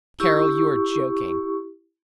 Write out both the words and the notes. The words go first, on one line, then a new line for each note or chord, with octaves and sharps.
"Carol, you are joking."
E4 G4 C#6